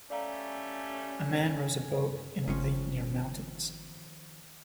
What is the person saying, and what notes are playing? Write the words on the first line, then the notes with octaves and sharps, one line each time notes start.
A man rows a boat in a lake near mountains.
G3 A3 C#4 D5 F5 G#5 A#5
G1 D#3 F3 C#4